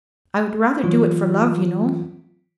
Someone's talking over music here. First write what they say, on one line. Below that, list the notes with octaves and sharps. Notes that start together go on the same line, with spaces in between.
"I would rather do it for love, you know."
E3 F#3 F4